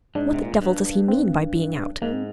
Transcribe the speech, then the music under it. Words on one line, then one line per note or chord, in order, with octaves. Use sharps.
What the devil does he mean by being out?
G#2 D4
C3
A#2
G#2
G2
C4
G#2 A#3
C4